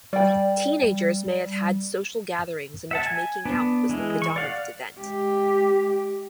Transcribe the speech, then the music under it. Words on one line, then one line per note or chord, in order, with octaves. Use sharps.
Teenagers may have had social gatherings in which making out was the predominant event.
G3 D5 G5
E5 F#5 A5
G#5
B3 D4
E3 G#3
C#6
D5 F5 F#5
G#3 G4